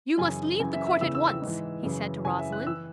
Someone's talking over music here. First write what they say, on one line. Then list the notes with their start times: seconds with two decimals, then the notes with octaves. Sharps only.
"You must leave the Court at once," he said to Rosalind.
0.18 F#2 C#3 E3 G#5
0.60 F#2 C#3 E3 G#5
0.73 E5
0.87 E5
1.01 E2 C#3 E3 E6
1.15 E6
1.28 E6
1.42 G#2
1.47 E3
1.83 F#2 C#3 E3
2.25 F#2 C#3 E3 G#5
2.39 E5
2.52 F#6
2.67 E3 E6